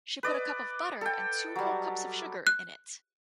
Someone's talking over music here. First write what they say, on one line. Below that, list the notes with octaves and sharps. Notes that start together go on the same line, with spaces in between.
She put a cup of butter and two whole cups of sugar in it.
B4 D5 D#5
A4 G5
F#3 G3
F#6